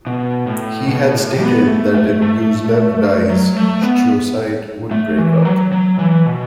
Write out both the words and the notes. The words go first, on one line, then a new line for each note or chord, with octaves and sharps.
He had stated that if Gyuzelev dies, Shturcite would break up.
B2
A2
B2
A2
B3
A3
A3
A3
F#3
A3
B3
A3
E3
F#3
F#3
E3
B2